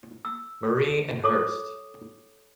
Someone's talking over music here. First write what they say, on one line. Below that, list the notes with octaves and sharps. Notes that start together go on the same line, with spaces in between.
Marie and Hearst.
E6
A4 C#5 D6 D#6